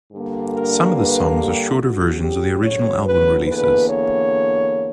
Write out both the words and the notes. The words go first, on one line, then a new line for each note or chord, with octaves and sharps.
Some of the songs are shorter versions of the original album releases.
G2 D3 A#3
A#4
B4
G4
D2 C#3 F#3 F#4
G4
C#5
B4
E2 D3 A#3 B4
C#5